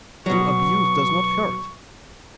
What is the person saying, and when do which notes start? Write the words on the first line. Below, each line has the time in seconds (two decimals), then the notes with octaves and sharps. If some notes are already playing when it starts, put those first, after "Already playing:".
To abuse does not hurt.
0.26 B2 F#3 C#6